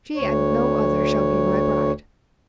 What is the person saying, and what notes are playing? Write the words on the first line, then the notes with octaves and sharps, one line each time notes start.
She, and no other, shall be my bride.'
D2 C#5